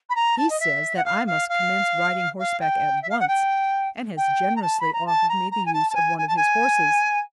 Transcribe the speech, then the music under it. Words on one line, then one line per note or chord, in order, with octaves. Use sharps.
He says that I must commence riding horseback at once, and has generously offered me the use of one of his horses.
B5
A#5
A5
D#5
E5
F#5
F5
F5
F5
F5
G5
E5
F5
F#5
G5
G5
A#5
A5
B5
A#5
A5
A#5
A#5
G#5
A5
A5
G#5
G#5
A5
G#5